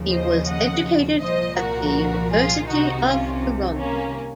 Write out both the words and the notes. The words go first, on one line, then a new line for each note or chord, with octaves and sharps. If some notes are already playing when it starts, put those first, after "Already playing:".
He was educated at the University of Toronto.
Already playing: D#2 C#3 F3
C5 D#5
D#5 F#5
C2 A#2 F3 C5 D#5
F#4 A#4
F4 G#4
C2 C3 D#3 D#4 F#4
C#4 F4
A#3 C#4